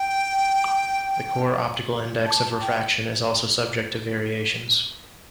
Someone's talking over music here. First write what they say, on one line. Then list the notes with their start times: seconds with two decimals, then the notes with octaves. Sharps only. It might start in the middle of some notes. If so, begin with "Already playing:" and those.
The core optical index of refraction is also subject to variations.
Already playing: G5
2.25 A5
2.60 G5